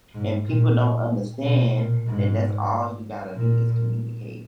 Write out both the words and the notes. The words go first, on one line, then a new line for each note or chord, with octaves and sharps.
and people don't understand that that's all you gotta do is communicate.
G#2
A#2
B2
A#2
G#2
A#2